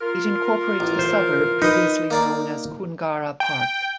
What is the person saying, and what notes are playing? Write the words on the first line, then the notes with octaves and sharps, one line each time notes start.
It incorporates the suburb previously known as Koongarra Park.
F4 A#4
A1
C5
D#4 B4 D#5
A#3 D5 F5
G5